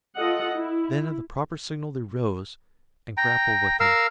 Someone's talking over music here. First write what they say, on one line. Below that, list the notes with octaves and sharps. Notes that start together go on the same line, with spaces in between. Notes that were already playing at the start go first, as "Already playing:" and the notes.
Then at the proper signal they rose, and grappled with them.
F4 A4 D#5 F#5
E4
G5 A#5
A#4 F5 E6